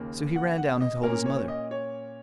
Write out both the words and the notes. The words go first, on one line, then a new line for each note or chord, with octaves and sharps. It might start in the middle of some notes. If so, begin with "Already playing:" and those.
So he ran down and told his mother.
Already playing: D#2 C#3 A#3
F#5
F#5
D#5
A#2 A#3 C#4 A#4
C#5
D#5
C#5